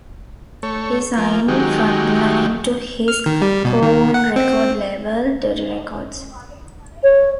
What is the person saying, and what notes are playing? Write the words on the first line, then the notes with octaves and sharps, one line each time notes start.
He signed Frontline to his co-owned record label, Dirty Records.
A3 C#5
F3 A#3
D#3 F#3 G#3 G4
F6
D#3
G3
B2
D#3
F#5
C4
C#5